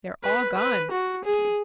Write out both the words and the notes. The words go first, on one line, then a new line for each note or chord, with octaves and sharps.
"They're all gone," said he.
B4
B4
F#4
G#4